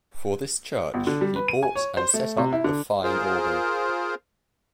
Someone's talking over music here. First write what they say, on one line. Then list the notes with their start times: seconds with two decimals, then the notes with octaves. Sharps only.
For this church he bought and set up a fine organ.
0.94 G1
1.07 D3
1.21 G3
1.36 B4
1.48 D#7
1.63 G#5
1.75 C#5
1.97 C5
2.14 A3
2.38 C3
2.53 E4
2.64 D3
3.03 F4 G#4 A#4 C5